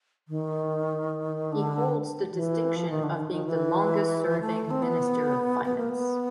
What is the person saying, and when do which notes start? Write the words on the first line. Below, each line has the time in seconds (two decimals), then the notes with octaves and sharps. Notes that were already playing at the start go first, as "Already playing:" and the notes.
He holds the distinction of being the longest serving Minister of Finance.
0.28 D#3
1.52 D3
2.34 E3
2.76 F3
2.90 D#3
3.03 D3
3.17 D#3
3.31 D#3
3.45 E3
4.41 A3
4.71 C4
4.82 B3
5.65 B3
5.77 A#3
5.89 B3